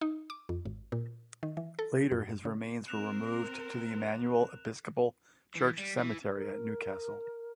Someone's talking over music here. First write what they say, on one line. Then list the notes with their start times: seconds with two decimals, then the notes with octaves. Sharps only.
Later his remains were removed to the Immanuel Episcopal Church Cemetery at New Castle.
0.01 D#4
0.30 D6
0.49 F2
0.65 G#1
0.92 A#2
1.43 D#3
1.57 E3
1.79 A4
2.11 F#2
2.45 C#3
2.88 C4 A#4 F#6 E7 F7
5.56 E3
5.78 G3
5.99 E3
6.35 A#4